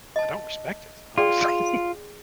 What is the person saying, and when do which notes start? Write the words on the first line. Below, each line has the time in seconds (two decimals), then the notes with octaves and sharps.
I don't respect it, honestly,
0.16 D#5 A5
1.18 F4 G#4 D5 G5